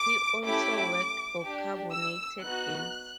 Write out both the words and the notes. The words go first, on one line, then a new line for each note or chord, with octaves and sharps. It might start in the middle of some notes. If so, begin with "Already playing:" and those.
He also worked for Carbonated Games.
Already playing: D6
A3 C#4 E4 G4 D6
D4 G4
E6
B3 D#4 F#4 F#6